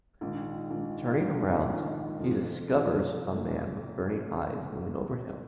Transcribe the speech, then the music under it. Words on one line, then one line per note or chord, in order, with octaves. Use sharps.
Turning around, he discovers a man with burning eyes looming over him.
A#1 G#2 D#3
A#1 G#2 D#3
A#1 G#2 D#3
A#1 G#2 D#3
F1 F2 F3
F1 F2 F3